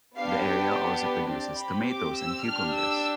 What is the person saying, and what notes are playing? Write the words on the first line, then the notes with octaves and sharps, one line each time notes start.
The area also produces tomatoes and cucumbers.
B3 D4 G4 F5
G5
B4
C4 G4 D5
B5
D6
E6
D4 G4 F6
E6